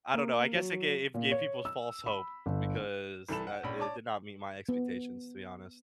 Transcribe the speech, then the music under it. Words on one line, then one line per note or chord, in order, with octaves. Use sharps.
I don't know, I guess, it gave it gave people false hope because that it did not meet my expectations, to be honest.
A#3
F#3
A#2
C#5
E6
B5
G1
C2 E3 A4 B5 E7
F#5
A#1 C#4 B5
C#5 D5 A5 D6
B3